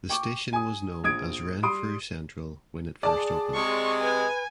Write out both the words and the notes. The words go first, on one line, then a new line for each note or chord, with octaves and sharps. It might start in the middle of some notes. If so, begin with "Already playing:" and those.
The station was known as Renfrew Central when it first opened.
G5 C#6 D6
G#5 D#6
A#1 D#6 G#6 D7
G3 C6 D#6 D7
G#4 D5 A5
C3 G#3 C#6
B4 G#5